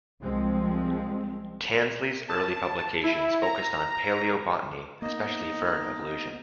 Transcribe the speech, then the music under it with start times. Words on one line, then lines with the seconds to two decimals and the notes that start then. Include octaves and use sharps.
Tansley's early publications focused on palaeobotany, especially fern evolution.
0.22 C2 F3 G#3 C4
2.29 A5
3.03 E4
3.42 A#5
5.02 A#3 B3 D#4 D#5